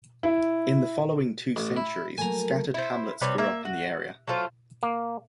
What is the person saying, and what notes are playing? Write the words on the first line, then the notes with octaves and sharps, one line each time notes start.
In the following two centuries, scattered hamlets grew up in the area.
E4
A1
E4
F#3 A3 A#3 G#5 A#5
E4 C5
C3 G3 B4 C#5
A#3 E5
F#4
F#3 A3 F4 C5
A#3